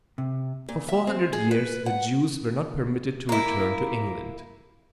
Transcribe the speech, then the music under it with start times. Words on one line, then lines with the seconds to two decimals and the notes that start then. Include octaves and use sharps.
For four hundred years the Jews were not permitted to return to England.
0.18 C3
0.69 A#2
0.88 E5
1.07 C4
1.33 G#4
1.51 B4
1.86 F#5
3.29 A#3 E4